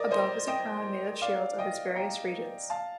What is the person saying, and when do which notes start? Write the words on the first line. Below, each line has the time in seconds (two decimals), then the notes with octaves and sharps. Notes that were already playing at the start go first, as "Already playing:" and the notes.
Above is a crown made of shields of its various regions.
Already playing: A#4 D5 D#5
0.11 C5 D#5
0.47 D#5 G5
1.21 D5 F5
1.58 D#5 G5
1.95 G5 A#5
2.70 F5 A5